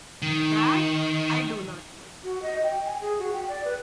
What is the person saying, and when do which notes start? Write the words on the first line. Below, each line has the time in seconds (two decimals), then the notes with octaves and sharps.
That I do not know.
0.22 D#3
2.24 F#4
2.42 D#5
2.63 G5
2.85 G#5
3.01 G#4
3.19 F#4
3.33 G5
3.49 D5
3.65 B4